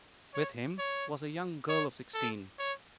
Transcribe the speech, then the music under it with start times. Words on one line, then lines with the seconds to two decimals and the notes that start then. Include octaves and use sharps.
With him was a young girl of sixteen.
0.34 C#5
0.79 C#5
1.69 C#5
2.14 A4
2.59 C#5